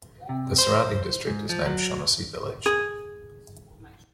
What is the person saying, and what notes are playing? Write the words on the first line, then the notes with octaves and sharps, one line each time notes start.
The surrounding district is named Shaughnessy Village.
C3
C5
G#2
F3
F#3
G#4